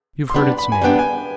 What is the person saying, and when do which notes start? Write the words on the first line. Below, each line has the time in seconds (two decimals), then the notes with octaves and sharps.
You've heard its name.
0.30 C6
0.34 G3 B3 D4 B5
0.58 B5
0.72 G#5
0.82 G3 B3 D4 G5
0.99 G#5